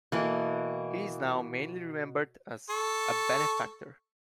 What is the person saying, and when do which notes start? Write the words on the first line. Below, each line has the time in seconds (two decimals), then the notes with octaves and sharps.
He is now mainly remembered as a benefactor.
0.12 B2 E3 A#3 E4 A4
2.70 A4 C#6